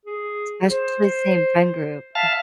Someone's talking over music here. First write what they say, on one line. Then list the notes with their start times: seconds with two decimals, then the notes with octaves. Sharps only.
Especially same friend group. Mm.
0.05 G#4
0.70 C5
2.15 E5 F5 A5